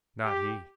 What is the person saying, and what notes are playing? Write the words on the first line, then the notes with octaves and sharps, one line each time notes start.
Not he.
G4